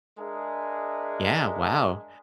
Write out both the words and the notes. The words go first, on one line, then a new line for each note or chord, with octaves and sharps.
Yeah, wow.
G#3 D4 G#4 A#4 E5